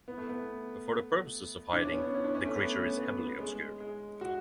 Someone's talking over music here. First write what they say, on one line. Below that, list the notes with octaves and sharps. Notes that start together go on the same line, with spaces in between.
For the purpose of hiding, the creature is heavily obscured.
B3
A3
B3
D4
C#4
B3
C#4
C#4
D4
C#4
A3
B3
C#4
B3
B3
G#3
G#3
F#4